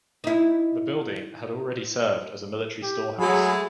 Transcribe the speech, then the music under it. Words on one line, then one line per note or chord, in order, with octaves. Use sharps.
This building had already served as a military storehouse.
D#4 E4
G4
F#3 G#3 A3 G#4 B5